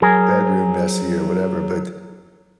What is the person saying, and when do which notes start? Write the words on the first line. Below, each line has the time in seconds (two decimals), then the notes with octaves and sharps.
bedroom messy or whatever, but
0.02 F#3 G#4 A#4